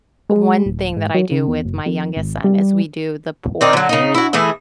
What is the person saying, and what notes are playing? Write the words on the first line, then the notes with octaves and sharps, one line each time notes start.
one thing that I do with my youngest son is we do the pour painting,
G#3
D#1
G#2
F#3
C#3
E2
F#1
F2
G#1
G3
C4 D4 D#4
D3 F#3
C#3 D#4
E4 F#4
E3 A3 E4 G#4